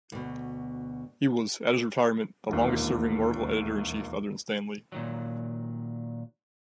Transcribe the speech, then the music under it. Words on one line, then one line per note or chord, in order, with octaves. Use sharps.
He was, at his retirement, the longest-serving Marvel editor-in-chief other than Stan Lee.
D2 B2
E1 A#1 D#2
A#2 D#3 F#3